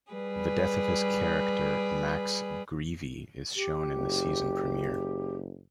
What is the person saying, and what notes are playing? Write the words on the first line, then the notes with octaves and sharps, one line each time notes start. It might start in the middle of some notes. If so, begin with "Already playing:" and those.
The death of his character Max Greevey is shown in the season premiere.
G3 G#4 B4
G4
F#1